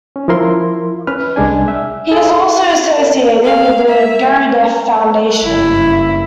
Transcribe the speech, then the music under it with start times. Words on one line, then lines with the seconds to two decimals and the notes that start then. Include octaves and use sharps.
He is also associated with the Gurdjieff Foundation.
0.16 C#4
0.28 F3 E4 A#4 C6
1.07 C#4 B4 F6
1.36 C2 G#3 D4 G#5
1.68 E5
2.11 G#4 A4
3.44 F5
3.88 E5
5.43 F#1 G2 E4